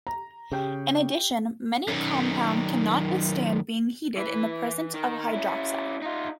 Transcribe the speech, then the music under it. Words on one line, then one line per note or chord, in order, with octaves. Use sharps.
In addition, many compound can not withstand being heated in the presence of hydroxide.
A#5
C#3 G4 G5
F#2 D#3
E3 B4
D#3
C#4 E4
D#4 F4